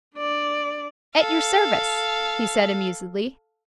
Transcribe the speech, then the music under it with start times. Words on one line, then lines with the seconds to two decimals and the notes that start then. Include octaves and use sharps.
"At your service," he said amusedly.
0.17 D4 D5
1.16 A4 F5